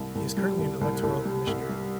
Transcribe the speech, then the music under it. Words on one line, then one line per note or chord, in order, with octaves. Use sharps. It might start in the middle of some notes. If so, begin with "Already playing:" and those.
He is currently an Electoral Commissioner.
Already playing: C2
C2
G3
C2
C2
C2
G3
C2
G3